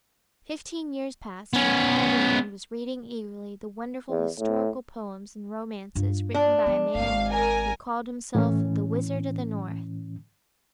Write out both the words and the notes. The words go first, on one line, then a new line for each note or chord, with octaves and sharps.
Fifteen years passed and all England was reading eagerly the wonderful historical poems and romances written by a man who called himself the "Wizard of the North."
B3 C#4
E2
A2
G2 F4
D4
F3 B3
D#1 G#1 F5
A#4 G#5
A2 E3 C#4